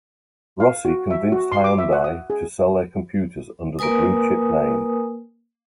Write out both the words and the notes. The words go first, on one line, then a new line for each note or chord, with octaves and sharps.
Rossi convinced Hyundai to sell their computers under the Blue Chip name.
F5
F#4
E5
F#4
C6
D6
E5
F#5
D#6
G#4
A#3 A#4 B4 G#5 D#6